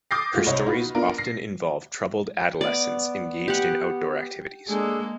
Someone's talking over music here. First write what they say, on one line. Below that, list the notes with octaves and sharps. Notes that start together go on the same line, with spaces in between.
Her stories often involve troubled adolescents engaged in outdoor activities.
D6 D#6 G6 A6 A#6 C7
G#3 A3 F4 F#4
C2 C#5 D#5
D#4 F4 F#4 B4
B3 D4 F4 A#4
A#6 C7
B3 D5
G4 F#5
G#3 A#3 D4 G#4 A4